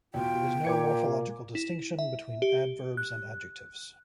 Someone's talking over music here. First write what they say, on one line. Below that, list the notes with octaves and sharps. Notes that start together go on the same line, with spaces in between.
There is no morphological distinction between adverbs and adjectives.
E2 B2 F4 G5
A#2 A#3 D6 G#6 C#7
E4
E5
G4
F#6